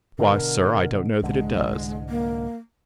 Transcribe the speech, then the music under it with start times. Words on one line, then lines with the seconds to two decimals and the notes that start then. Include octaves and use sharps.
'Why, Sir, I don't know that it does.
0.19 B2 D3 A#4
1.23 C2 G#2 D3 G#3
2.09 A#3